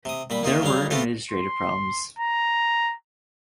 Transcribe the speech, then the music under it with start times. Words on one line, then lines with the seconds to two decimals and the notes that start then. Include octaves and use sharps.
There were administrative problems.
0.05 C3 D#6
0.30 A#2 G3 B5
0.43 A#3 D#4 F4 E5
0.62 C#3 F#3 G3 F5
0.91 A3 B3 C4 F4 G4 A4
1.31 C6
2.19 A#5